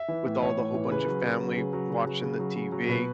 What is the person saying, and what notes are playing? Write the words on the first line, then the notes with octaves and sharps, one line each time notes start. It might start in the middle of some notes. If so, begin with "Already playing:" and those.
with all the whole bunch of family watching the TV.
Already playing: E5
E3
A2
E3 C#5
A2
E3
C#3 B4
F#3
C#3
F#3
C#3
F#3
C#3
F#3
C#3
F#3
C#3
F#3
B2 B4